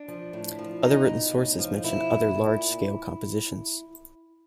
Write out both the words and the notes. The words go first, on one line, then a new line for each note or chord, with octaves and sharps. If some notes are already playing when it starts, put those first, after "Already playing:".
Other written sources mention other large-scale compositions.
Already playing: D4
F3
A2
F3
B2 D#4
B2
A2
F3
B2 E4
B2
A#2